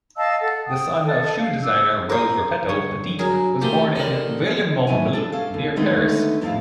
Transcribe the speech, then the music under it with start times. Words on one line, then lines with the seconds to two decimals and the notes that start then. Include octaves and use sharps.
The son of shoe designer Rose Repetto, Petit was born in Villemomble, near Paris.
0.17 D#5 F5 A5 E6
0.40 A4 F#5
0.68 G5 D#6
1.05 A4
1.38 F5
1.61 D6 E6
2.10 A#4 C5 D#6
2.69 G2 D3 C#5
3.19 F#3 G#4 A#4
3.61 A3 A#3 E4 G4 G#4 C5
3.95 E3 D#4 A4 A#4 D5
4.87 D#2 G#2 F#3 C#4 E4 G#5
5.13 D4 A4
5.32 C#4 A4 F5
5.54 D#2
5.76 D3 D#3 G#3 A3 B3 D#4
6.41 E2 A2 F3 A3 E4 F5